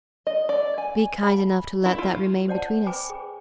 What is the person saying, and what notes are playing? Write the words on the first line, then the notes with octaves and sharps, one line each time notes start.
Be kind enough to let that remain between us.
D#5
D5
G#5
B5
E4
F4
C5 D5 F#5 A5
B4 C5 G5 G#5 B5 D6
G#4